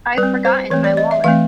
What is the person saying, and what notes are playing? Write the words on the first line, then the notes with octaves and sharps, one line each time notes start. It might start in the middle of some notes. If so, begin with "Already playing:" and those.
I’ve forgotten my wallet.
G3 B4
C4
C5
E3 A3 C4 C#5
D5
D#5
E5
E3 A3 C4 F5